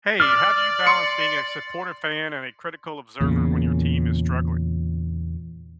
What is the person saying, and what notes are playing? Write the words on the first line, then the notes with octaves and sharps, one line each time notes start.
Hey, how do you balance being a supportive fan and a critical observer when your team is struggling?
D5 D6 E6 F6
C6 C#7
E2 A#2 C#3